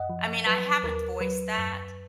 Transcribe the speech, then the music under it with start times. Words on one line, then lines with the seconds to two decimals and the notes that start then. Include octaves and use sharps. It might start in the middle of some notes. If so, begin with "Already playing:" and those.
I mean, I haven't voiced that,
Already playing: F#2 D#5 F#5
0.10 F3
0.46 F#3 B4
0.83 D#2 A#4
1.21 F#3 B4
1.58 F#2